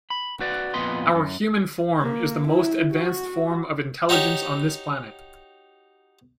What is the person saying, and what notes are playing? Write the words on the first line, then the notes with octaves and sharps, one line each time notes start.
Our human form is the most advanced form of intelligence on this planet.
B5
F#4 B4 D5
F2 A#2 B3 B4 D#5 C6
F#2
A#3
E4
F#4
D#4 F#4 G4 C#5